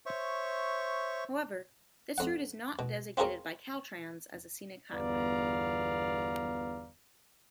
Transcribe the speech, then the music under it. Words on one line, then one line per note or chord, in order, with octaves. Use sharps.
However, this route is not designated by Caltrans as a scenic highway.
C5 C#5 E5 C#6
F2 F#5
B2
C4 F4 G#4 A#4 C#5 D#5
G1 E2 B3 D5 F5 A#5